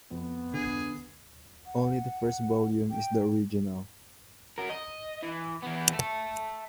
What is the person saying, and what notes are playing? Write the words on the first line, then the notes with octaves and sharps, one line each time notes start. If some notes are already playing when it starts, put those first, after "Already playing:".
Only the first volume is the original.
F2 B3
D3 G#4
F#5
G5
F#4 A#4
D#5
E3
E3 B3
E5 A5